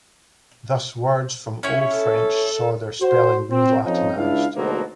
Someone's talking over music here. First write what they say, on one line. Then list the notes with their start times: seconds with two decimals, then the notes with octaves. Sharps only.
Thus words from Old French saw their spelling re-Latinized.
1.63 C#4 E4 C#5
1.94 A4
3.01 F#4 C5
3.50 C4
3.85 F2 F3 C#4 D#4
4.16 C#2 D4 E4 F5
4.56 D2 G#2 B2 F3 F#3 A#3